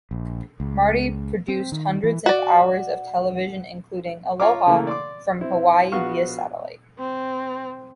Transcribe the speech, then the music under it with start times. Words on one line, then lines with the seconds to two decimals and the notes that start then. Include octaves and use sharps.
Marty produced hundreds of hours of television including Aloha from Hawaii Via Satellite.
0.11 A#1
0.60 C#2
1.48 C4
1.72 D#3
2.03 E3
2.26 F#4 D5
4.40 F4 C#5 F5 A#5 D6
4.67 C#3 E3 A3 A#3
4.87 D5 C6 D6
5.41 C4 E4
5.92 A#1 B3 F#4 F5 C#6
6.99 C4